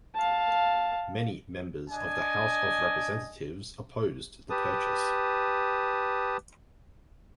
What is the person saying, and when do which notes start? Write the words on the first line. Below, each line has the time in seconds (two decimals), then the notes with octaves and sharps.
Many members of the House of Representatives opposed the purchase.
0.15 F5 A5
1.91 D4 D#5 G#5
4.50 G4 B4 A5 D#6